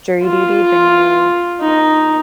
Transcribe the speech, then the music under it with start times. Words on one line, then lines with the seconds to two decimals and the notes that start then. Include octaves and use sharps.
Jury Duty, the new
0.25 F4
1.61 D#4